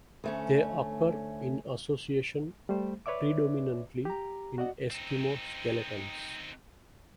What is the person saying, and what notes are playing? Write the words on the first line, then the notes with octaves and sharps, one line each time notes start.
They occur in association predominantly in Eskimo skeletons.
D2 A3 C#4
G3 A3 C5
B4 C#5 D5 E5 D6
G4 A#5
F#4 D5 D#5 F#5
C4 D#4